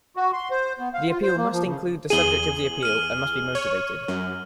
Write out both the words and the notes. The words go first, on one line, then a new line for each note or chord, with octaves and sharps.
The appeal must include the subject of the appeal and must be motivated.
F#4
C6
C5
B3
F5
F4
C5
A#3
F3
C#3
E2 G#4 D#7 F#7 G7
F6 D#7
C#5
F#2